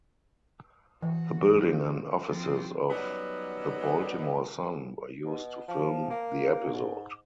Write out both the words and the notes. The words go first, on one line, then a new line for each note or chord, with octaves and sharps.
The building and offices of "The Baltimore Sun" were used to film the episode.
E3 F#4
F3 C4
F#3 G3 B3 C#4 D#4
B2
F3
A#3
G#2